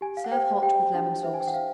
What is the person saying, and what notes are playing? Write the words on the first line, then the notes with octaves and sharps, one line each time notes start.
Serve hot with lemon sauce.
G4 G#5
F5
F#5
C5 G5
G4 G5
D4 F#5
C5 E5
G#5
G5
F#5
C5 F5